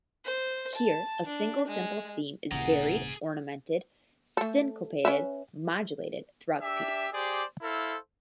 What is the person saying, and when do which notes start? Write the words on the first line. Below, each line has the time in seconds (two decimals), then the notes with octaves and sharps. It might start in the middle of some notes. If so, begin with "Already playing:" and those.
Here, a single simple theme is varied, ornamented, syncopated, modulated throughout the piece.
0.25 C5
0.75 A5
1.27 D4
1.68 G#3
2.52 D#1 C2 C#3 E3 G#4 F#5 A#5
4.37 A3 A4
5.05 C#4 B4 E5
6.60 D4 G4 E5
7.12 G4 G#4 C5 D5
7.62 E4 A4 C5 F5